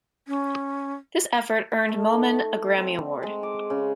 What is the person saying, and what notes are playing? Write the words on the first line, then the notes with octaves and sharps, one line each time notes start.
This effort earned Moman a Grammy Award.
C#4
A3
D#4
C4
G#3
D6
C#3